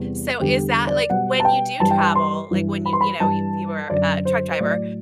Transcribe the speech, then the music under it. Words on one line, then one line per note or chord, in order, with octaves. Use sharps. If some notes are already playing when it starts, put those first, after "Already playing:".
So, is that like when you do travel, like, when you, you know, you if you were a truck driver
Already playing: E2 C3 G3
E2 D3 G3 G4
D5
B2 G3 F#5
A5
G5
G2 E3 G3 A5
G5
A5
C6
G2 E3 G3
B5
C6
B5
G2 E3 G3 A5
F#2 D3 F#3 D5
C5
C5
A2 F#3 D5